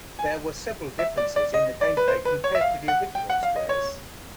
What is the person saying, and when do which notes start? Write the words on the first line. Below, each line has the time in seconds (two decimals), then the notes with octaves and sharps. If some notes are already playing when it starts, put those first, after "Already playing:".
There were several differences in game play compared to the original "Squares".
0.19 G#5
0.99 E5
1.17 D5
1.36 D5
1.54 D#5
1.81 D5
1.97 B4
2.08 C5
2.25 B4
2.44 C#5
2.55 E5
2.61 F5
2.88 F#5
3.15 G5
3.30 F#5
3.43 F5
3.56 D#5
3.69 C#5